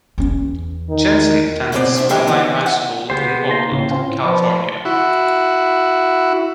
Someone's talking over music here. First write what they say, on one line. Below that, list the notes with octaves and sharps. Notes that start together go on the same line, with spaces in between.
Jensen attended Skyline High School in Oakland, California.
E2 C#4
D#3
F#2 B2 E3 C4 B4 D5
D2 D4 C5 E5
D#2 B2 D3 G3 G4 A4
E3 B3 C#4 D#4
F#5
C#3 B3 G4 C5
A#3 D#4 A#5 C6
A2 C#3
C4 C#4 F4
F3 B4 D5
E4 F#4